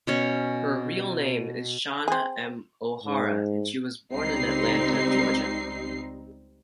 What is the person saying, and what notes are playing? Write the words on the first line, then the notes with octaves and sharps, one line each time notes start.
Her real name is Shana M. O'Hara, and she was born in Atlanta, Georgia.
B2 C#4 C#5
C4 G#4
G#2
C#2 G3 C4 D#4 C7